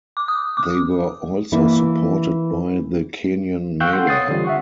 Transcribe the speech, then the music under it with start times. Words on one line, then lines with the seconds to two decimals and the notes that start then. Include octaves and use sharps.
They were also supported by the Kenyan media.
0.17 D6
0.28 D#6
0.57 D6
1.52 E3 A#3 E4
3.80 F5 G5 C#6 E6 F#6 G6
3.93 A4 F#5 C6
4.07 C#5 D#6 A6 C7
4.28 D3 E3 G3 C4 F4
4.45 E5 F#5 C#6